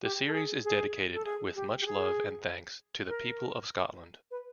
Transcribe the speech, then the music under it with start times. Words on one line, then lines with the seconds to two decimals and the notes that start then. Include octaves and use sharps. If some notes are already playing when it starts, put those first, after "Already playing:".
The series is dedicated "with much love and thanks to the people of Scotland".
0.02 G4
0.27 A4
0.33 G#4
0.64 G#4
1.14 A4
1.25 G#4
1.55 G4
1.81 G4
1.86 G#4
3.08 A#4
4.31 B4